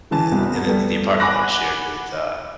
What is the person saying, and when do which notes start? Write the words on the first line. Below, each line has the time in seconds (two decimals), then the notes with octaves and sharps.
in the in the apartment that I shared with, uh,
0.11 C#3 E3 A5
0.32 C2 B2
0.66 G3 A3 B3
1.20 F#5 G#5 B5 D6 F#6 A#6